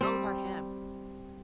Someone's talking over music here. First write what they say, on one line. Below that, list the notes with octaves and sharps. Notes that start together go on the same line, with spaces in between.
It's all about him.
G3 C4